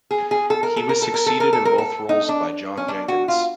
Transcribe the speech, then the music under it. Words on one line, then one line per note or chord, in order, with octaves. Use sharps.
He was succeeded in both roles by John Jenkins.
G#4
G#4
A4
A#4
A4
A#4
A4
A#4
A4
A#4
A4
A#4
A4
D#4
D4
C#4
D4
F#4
F4